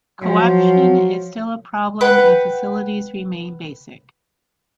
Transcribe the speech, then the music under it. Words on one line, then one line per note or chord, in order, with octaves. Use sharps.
Corruption is still a problem and facilities remain basic.
F3 F#3
B4 F#5 G5